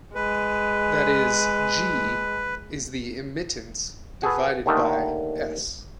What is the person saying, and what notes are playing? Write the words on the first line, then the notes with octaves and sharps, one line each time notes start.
That is, "g" is the immittance divided by "s".
G#3 B4
F#4 G#4 A4 B4
D#2 D3 D#3 A3 D#4